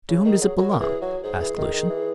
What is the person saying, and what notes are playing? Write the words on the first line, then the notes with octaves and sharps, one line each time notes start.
"To whom does it belong?" asked Lucian.
C#3
D#3 G#4
F#3
F#3 F#4
A#4
E3 G#4
F#3 F#4
G#2 G#4
E3
D#3
D#3
E3